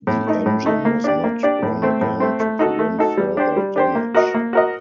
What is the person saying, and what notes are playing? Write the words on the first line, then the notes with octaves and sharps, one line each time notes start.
The engine was not run again to prevent further damage.
A2
A3 D#4
A2
A3 D#4
A#3
D4 G4 D5
A#3
D4 G4 D5
A2
A3 C4
A2
A3 C4
A3
D#4 F#4 A4
A3
D#4 F#4 A4
G3
D4 G4 C5
G3
D4 G4 C5
A#3
F#4 A#4 D#5
A#3
F#4 A#4 D#5